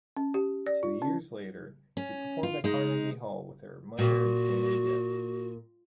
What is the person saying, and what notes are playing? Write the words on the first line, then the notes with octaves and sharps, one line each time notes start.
Two years later, she performed at Carnegie Hall with her mother and Stan Getz.
C#4
G4
D5
F4
C#4
C#4
F4
G#3 D#4
A#2 F#4